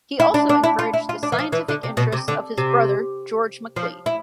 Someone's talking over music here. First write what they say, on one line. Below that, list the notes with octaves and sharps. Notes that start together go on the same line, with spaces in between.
He also encouraged the scientific interests of his brother George Macleay.
E4
D4
D4
E4
F4
E4
F4
D4
E3
F3
E3
D3
C3
B2
C3
D3
C3
F3
E4